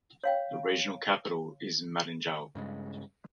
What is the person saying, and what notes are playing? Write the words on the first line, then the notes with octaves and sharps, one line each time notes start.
The regional capital is Madingou.
C#5 F5 G5
G2 C#3 G#3